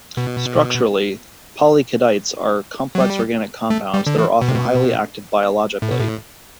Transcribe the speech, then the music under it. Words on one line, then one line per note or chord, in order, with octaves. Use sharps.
Structurally, polyketides are complex organic compounds that are often highly active biologically.
B2
F#3
G3
A3
G3
D3
E3
B2
C3
B2
A2
B2
A2